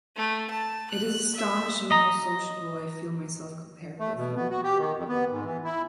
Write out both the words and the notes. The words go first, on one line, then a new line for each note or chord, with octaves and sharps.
It is astonishing how sociable I feel myself compared with him.
A3
A5
F#6
E5
D#5 A#5
A3
B2
B3
F#4
G4
D#3
F2
B3
G#2
E3
E4